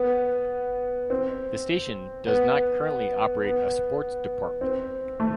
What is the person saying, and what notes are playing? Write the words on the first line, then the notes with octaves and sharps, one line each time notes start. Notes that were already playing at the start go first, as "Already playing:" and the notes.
The station does not currently operate a sports department.
Already playing: B3
C4
B3
B3
C4
A3